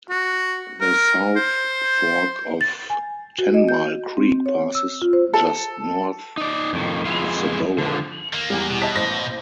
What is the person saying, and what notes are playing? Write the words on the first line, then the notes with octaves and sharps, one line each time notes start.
The South Fork of Tenmile Creek passes just north of the borough.
F#4
A#4
C5
A6
G#5
F#4
D#5
G6
C4
C#5
E6
F4
C5
A4
D#4 D5
F2 A2 D#3
F2 G#3 B3 E4 F4
D3 F3
D#3 A#3
E2 G3
B2
D#5 A5 B6
A1 C5 A#6